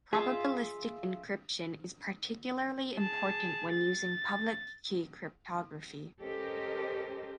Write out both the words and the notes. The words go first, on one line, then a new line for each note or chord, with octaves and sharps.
Probabilistic encryption is particularly important when using public key cryptography.
F4 G#4 D#5 E5
G#4 A5
A6
C#4 G4 A4 A#4 C5 D#5